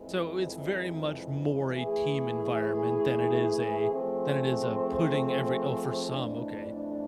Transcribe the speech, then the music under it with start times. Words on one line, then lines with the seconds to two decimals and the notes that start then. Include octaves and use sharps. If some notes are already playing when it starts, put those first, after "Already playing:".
So, it's very much more a team environment than it is a than it is a putting every Oh, for some, okay.
Already playing: F2 E3 G#3
1.70 E3 A3 E4 G#4
3.91 F3 A3 C4 G#4 C5
6.12 F2 E3 A3 D4